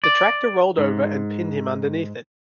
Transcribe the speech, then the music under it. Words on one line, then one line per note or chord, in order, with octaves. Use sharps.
The tractor rolled over and pinned him underneath it.
D5
G#2